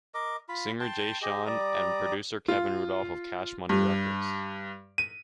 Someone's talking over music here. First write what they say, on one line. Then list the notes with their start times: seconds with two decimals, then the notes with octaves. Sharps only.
Singer Jay Sean and producer Kevin Rudolf of Cash Money Records.
0.14 A#4 D#5 D6
0.49 F4 B5
0.80 G5 A5 C6
1.22 G4 G#4 D#5
1.46 G3 D5 A#5 D#6
2.48 F4
3.69 G2
4.98 D#7